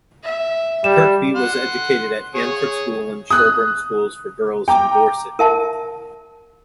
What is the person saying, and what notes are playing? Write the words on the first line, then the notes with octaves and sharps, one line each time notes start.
Kirkby was educated at Hanford School and Sherborne School for Girls in Dorset.
E5
G3 E7
F#5 C6
G#4 C#5
D#6 F#6
G5 A#5 D6
A#4 E5 A5